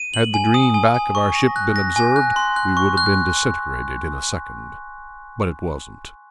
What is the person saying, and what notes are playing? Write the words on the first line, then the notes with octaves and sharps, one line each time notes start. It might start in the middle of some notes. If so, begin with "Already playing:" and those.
Had the green back of our ship been observed, we would have been disintegrated in a second. But it wasn't.
Already playing: D#7
F#7
G#5
D#6
G#5
G#5
C#6
A#6
F#6
A#6
G#5
F#6
C6
F#6
C#6
F#6